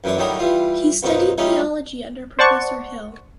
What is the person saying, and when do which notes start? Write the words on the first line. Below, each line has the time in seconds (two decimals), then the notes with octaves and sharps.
He studied theology under Professor Hill.
0.04 F#2 E3 D4 C#5
0.18 A2 D#3 F#3 G3 D4 D#5
0.39 E3 G3 F4
1.03 F#2 B2 F3 D#4
1.38 G3 A3 C#4 D#4 F4
2.39 C5 D5 F#5 A5 C#6